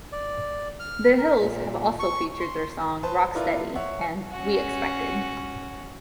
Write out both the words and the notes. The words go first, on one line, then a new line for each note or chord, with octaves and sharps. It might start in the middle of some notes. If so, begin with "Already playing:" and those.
"The Hills" have also featured their song "Rocksteady" and "We Expected".
D5
F6
A#4
A#2
C#6
C6
B4 C5 A5
E4 F4 A#4 B4 D5
C#5 E5 F#5
C#4 F#4